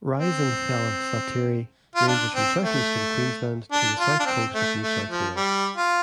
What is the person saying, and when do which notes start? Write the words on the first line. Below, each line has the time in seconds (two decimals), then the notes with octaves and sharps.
"Rhizanthella slateri" ranges from southeastern Queensland to the south coast of New South Wales.
0.16 C4
1.95 F4
2.08 D4
2.35 C4
2.63 A3
3.72 D4
3.99 F4
4.20 D4
4.26 C4
4.54 A3
4.82 A3
5.09 F3
5.36 G3
5.77 F4